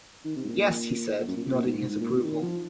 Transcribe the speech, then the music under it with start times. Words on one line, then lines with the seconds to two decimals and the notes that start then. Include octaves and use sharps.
"Yes," he said, nodding his approval.
0.25 D#3
0.36 C3
0.44 G#2
0.48 A#2
1.19 A#2
1.27 F#2
1.37 A#2
1.45 C3
1.54 A#2
1.66 G#2
1.78 G#2
1.89 G#2
2.01 A#2
2.13 C3
2.24 D#3
2.42 F3